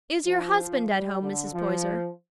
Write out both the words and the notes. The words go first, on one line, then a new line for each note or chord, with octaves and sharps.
"Is your husband at home, Mrs. Poyser?"
F3
G3
D3
F3